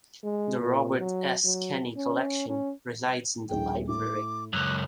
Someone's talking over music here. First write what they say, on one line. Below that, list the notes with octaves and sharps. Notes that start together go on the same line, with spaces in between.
The Robert S. Kenny Collection resides in the library.
G#3
A#2
F#3
F#3
C#4
C#4
D#1 A#1 G#4 G5
A2 D6
C#2 F#2 F#6